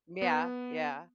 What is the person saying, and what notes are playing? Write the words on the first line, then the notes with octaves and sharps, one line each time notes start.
Yeah, yeah.
B3